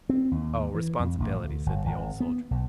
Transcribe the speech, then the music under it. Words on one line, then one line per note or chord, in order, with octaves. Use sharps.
Responsibility!' said the Old Soldier.
C4
D#2
E3
F2
A1
D2
G1
G#1
B3
B1